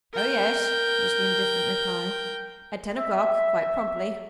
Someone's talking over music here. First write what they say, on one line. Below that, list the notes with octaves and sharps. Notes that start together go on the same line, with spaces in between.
"Oh, yes," was the indifferent reply, "at ten o'clock, quite promptly."
A#4 G5
E5